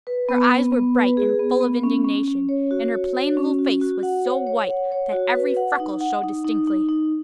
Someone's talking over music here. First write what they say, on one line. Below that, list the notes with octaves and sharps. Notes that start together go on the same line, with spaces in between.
Her eyes were bright and full of indignation, and her plain little face was so white that every freckle showed distinctly.
B4
B3
B3
B3
B4
G#4
B3
B3
C#4
C#4
C#4
C#5
F#4
C#5
F#4
C#4
F#4
F#4
F#5
C#5
C#5
F#5
C#5
F#4
B4
F#5
D#4
F#5
D#4
D#4
D#4
D#4